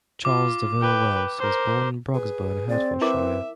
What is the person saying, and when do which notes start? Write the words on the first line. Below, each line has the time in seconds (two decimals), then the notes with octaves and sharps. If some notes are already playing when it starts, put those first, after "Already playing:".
Charles De Ville Wells was born in Broxbourne, Hertfordshire.
0.25 F4 D6
0.81 B4 G5
1.39 A#4 C5
2.14 G#4 B4
2.69 C4 D5
3.01 E4 A#4 B4 E5 D6